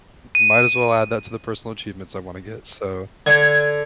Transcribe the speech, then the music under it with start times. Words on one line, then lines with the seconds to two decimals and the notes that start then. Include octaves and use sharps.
m might as well add that to the personal achievements I wanna get, so
0.35 D#7
3.26 D3 G#6